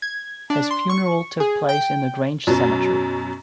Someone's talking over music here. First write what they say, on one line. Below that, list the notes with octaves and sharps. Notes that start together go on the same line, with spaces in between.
His funeral took place in the Grange cemetery.
G#6
D4
C6
C#6
G#4
G5
F#2 B2 F#3